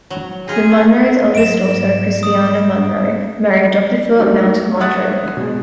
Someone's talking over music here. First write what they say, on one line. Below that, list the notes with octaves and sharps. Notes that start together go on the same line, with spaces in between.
The Munro's eldest daughter, Christiana Munro, married Doctor Phillip Mount of Montreal.
F#3
D#4 F4 G#4
G#2 F#3 D7 E7
D#6
F#3 A3 D4 D#4 F#4 G4
C#5 E5 F#5 D#6 F#6 A6
B2 G#3